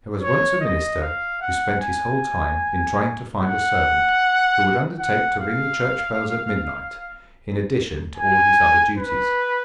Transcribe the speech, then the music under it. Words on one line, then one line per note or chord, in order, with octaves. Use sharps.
There was once a minister who spent his whole time in trying to find a servant who would undertake to ring the church bells at midnight, in addition to all his other duties.
C#5
D#5
F5
F#5
G#5
F#5
F#5
F5
G#5
B4